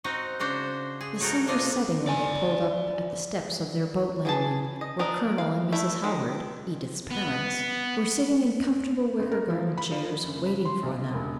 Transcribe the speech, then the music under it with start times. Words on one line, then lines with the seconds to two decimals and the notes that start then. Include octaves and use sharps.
The sun was setting when they pulled up at the steps of their boat-landing where Colonel and Mrs. Howard, Edith's parents, were sitting in comfortable wicker garden-chairs, waiting for them.
0.04 C4 D#4 F#4 D#5
0.39 C#3 D4 F#4 C5
1.01 G#4
1.20 F#3 D#4 F#4 A4 A#4
1.47 C3 D4 F4 D#5
2.08 D5 G#5
4.25 E3 G#4 A5
4.81 D#5
4.99 D4 A#4 D#5
5.38 F5
5.72 A3 E4 E5
6.04 D#3
7.11 B3
9.19 A1
9.32 A#4
9.50 F3
9.78 B5
9.91 F3
10.10 D3
10.23 F#1
10.46 B5
10.65 C6
10.83 B1
11.14 E1